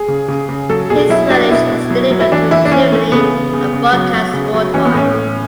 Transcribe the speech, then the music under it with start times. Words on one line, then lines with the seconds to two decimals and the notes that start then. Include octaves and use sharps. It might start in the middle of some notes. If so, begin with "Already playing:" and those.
His footage was delivered to Germany and broadcast worldwide.
Already playing: G#4
0.08 C#3
0.28 C#3
0.49 C#3
0.70 F#3 A4
0.90 B2 G#4
1.09 F#3 E4
1.30 F#3 D4
1.51 B2 E4
1.71 B2
1.90 F#3
2.11 F#3
2.20 E4
2.32 E3 D4
2.51 E3 E4
2.65 D4
2.72 E3 C#4
2.92 E3 A3
3.12 C#3 B3
3.32 C#3
3.53 C#3
3.73 C#3
3.93 F#3
4.13 F#3
4.34 C#3
4.54 F#3
4.74 E3 C#4
4.85 B3
4.94 A2 C#4
5.14 A2